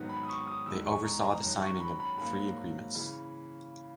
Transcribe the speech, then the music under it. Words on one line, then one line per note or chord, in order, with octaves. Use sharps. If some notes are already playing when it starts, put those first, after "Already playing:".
They oversaw the signing of three agreements.
Already playing: G#2 D#3 F#3 B3
B5
D#6
C#6
D#6
E2 D#3 G#3 E6
C#6
A#5
A#5
F#2 D#3 F#3
C#6
B5
B5
G#2 F#3 A#3 B5
C#3 E3